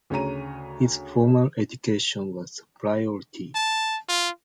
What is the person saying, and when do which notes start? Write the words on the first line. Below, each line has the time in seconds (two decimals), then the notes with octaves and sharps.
His formal education was the priority!
0.10 D2 C#3 C#5 A#5 D#7
3.55 A5
4.09 F4